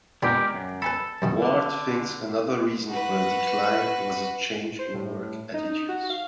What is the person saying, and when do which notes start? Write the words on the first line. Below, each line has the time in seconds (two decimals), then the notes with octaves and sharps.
Ward thinks another reason for the decline was a change in work attitudes.
0.23 A#2 G#3 B3 D4 G4 A#4
0.54 F#2
0.82 A4 B4 G#5 B5
1.22 F#2 B2 D#3
1.42 D3
2.90 F#4 B4
4.79 C5
4.94 A2
5.54 D#4
5.70 D#4
5.89 F#4
6.10 F5